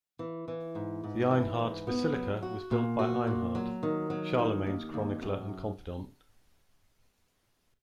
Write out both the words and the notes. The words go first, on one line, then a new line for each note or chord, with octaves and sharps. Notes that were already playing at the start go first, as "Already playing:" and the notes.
The "Einhards-Basilika" was built by Einhard, Charlemagne's chronicler and confidant.
E3
E3
G#2
G#2
E3
G#2
B3
F#3
F#4
A#2
F#4
A#2
F#3
D#3
F#3
D#3
D#2
D#2
F#2